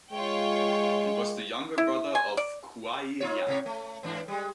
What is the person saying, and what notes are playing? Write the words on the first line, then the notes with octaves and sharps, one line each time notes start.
He was the younger brother of Kuai Liang.
G#3 F4 C#5 G5
E4
G#5
D5
D#4 F4 C#5
A2 C3 C#5
A3
G#2 E3 D4
G3 G#3